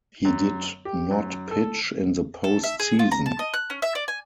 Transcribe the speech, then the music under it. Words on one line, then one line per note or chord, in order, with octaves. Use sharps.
He did not pitch in the post season.
F#2
G4
F#2
A4
A4
E5
G#4
F4
A#5
A5
D#5
F#6
C#4
E5
D5
G#5